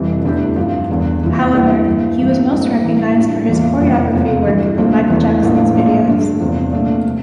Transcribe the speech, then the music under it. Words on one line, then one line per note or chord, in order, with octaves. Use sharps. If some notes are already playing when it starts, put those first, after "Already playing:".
However, he was most recognized for his choreography work in Michael Jackson's videos.
Already playing: F1 F2 E3 G3
E2 D3 A3 E4 G4
G2 F3 C4
E1 E2 D3
F1 F2 E3 A#3 F4
E2 D3 G3 A#3 E4
G1 G2 E3 G3 A#3
G2 E3 G3 A#3
A1 A2 G3 A#3 D4
A2 E3 A#3 E4
A2 G3 D4 F4
E2 E3 A#3 F4
F1 F2 E3 A#3 F4
E2 C3 F3 C4
G2 E3 G3
D2 C3 F3 A#3
E2 E3 A3
A1 A2 F3 A#3 D4
A#2 F3 A#3 D4
G2 D3 A3
E2 C3 F3
A#2 A3 D4
C3